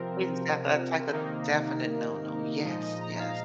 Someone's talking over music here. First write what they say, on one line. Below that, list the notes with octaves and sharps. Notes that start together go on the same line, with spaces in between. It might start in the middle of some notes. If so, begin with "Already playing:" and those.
Exactly. It's like a definite "No-no." Yes. Yes.
Already playing: C3 F3 C4 A#4
C3 D#3 A#3 D#4
A#2 F3 G#3 D#4 D#5
D#5
A#5
F5